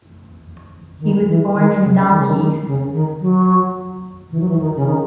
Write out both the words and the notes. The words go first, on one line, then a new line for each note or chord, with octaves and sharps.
He was born in Dalkeith.
D#3
E3
D#3
C#3
D#3
C#3
D#3
D#3
C#3
D#3
F#3
E3
F#3
E3
D#3
C#3
D#3